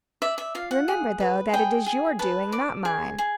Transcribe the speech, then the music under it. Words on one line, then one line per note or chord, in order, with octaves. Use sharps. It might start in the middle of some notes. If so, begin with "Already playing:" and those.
Remember, though, that it is your doing, not mine.
D5 E5
E5
F4 F5
F#5
G#4
B4
G#4 G5
G#4
B4 A5
D5
G#4
G#4